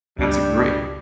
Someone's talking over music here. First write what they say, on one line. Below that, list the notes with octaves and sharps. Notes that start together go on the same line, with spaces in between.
That's a grea
C#2 G2 G3